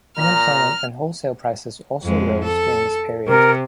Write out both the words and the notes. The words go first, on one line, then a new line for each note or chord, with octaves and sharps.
Unemployment and wholesale prices also rose during this period.
A#2 A#5 F6
F2 G#3
A4
C3 A#4